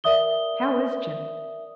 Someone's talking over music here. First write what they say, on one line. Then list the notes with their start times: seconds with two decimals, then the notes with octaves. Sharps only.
How is Jim?
0.04 A#4 D5 E5 D#6 G7